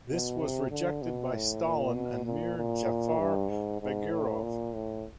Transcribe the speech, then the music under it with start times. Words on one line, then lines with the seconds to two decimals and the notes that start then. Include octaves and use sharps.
This was rejected by Stalin and Mir Jafar Bagirov.
0.09 B2
0.39 C3
0.71 D3
1.02 B2
1.33 A2
1.63 A#2
1.94 B2
2.26 A#2
2.57 A#2
3.19 G2
3.49 G#2
3.81 G#2
4.11 A2
4.43 A#2
4.74 A2